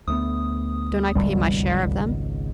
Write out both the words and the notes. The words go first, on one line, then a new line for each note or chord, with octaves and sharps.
"Don't I pay my share of them?"
D2 A3 B3 D#6
G#1 C#2 B2 G3